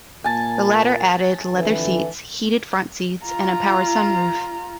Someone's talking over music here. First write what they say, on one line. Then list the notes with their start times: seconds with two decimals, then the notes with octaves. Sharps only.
The latter added leather seats, heated front seats and a power sunroof.
0.24 A#2 A#3 G#5 A5
1.55 F2 D3 E3
3.25 F4 A#5